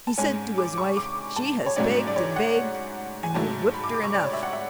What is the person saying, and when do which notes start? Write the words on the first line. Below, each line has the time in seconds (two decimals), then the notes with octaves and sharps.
He said to his wife she has begged and begged and you have whipped her enough.
0.07 A5
0.18 G#2 G#3 C#4 G#5
0.58 D6
0.78 C#6
0.97 D6
1.36 A5
1.66 C#5
1.76 G#2 F#3 A3 C#4 D5
2.07 D5
2.16 C#5
2.36 F#5
3.23 G#5
3.34 G#2 F#3 A3 A5
3.74 B5
3.84 D6
3.94 D6
4.04 C#6
4.14 D5
4.24 C#5
4.33 E5
4.43 F#5
4.53 E5